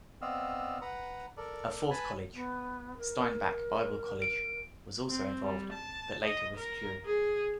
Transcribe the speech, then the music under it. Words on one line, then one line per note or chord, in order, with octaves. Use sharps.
A fourth college, Steinbach Bible College, was also involved, but later withdrew.
B3 C4 D5 D#5 F5 E6
B4 F#5 A#5
A4 A#4 D5
B4 G#5 A5 B5
B3
A#4
D7
C4
G3
A5
D#5
A#4
G#4